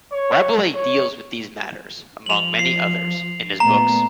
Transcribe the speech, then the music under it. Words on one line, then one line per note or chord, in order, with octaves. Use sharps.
Rabelais deals with these matters, among many others, in his books.
C#5
C#5
F3 F7 F#7
C7
A#2 A3 B3 A#5